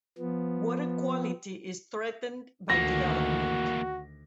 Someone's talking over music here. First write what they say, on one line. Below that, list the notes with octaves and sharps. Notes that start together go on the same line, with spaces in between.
Water quality is threatened by development.
F3 B3
D2 D#3 E3 A#3 F#4 A#6